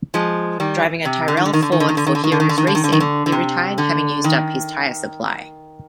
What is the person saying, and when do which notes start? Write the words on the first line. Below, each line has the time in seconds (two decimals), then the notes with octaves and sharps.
Driving a Tyrrell-Ford for Heros Racing, he retired having used up his tyre supply.
0.14 F3 G#3
0.60 D#3 G3
1.05 C3
1.28 D3
1.37 D#3
1.45 D3
1.53 D#3
1.62 D3
1.72 D#3
1.80 D3
1.89 D#3
1.97 D3
2.07 D#3
2.15 D3
2.24 D#3
2.32 D3
2.40 D#3
2.49 D3
2.58 D#3
2.67 D3
2.75 D#3
2.84 D3
2.92 D#3
3.00 D3
3.26 D3
3.32 C3
3.78 D3
4.24 D#3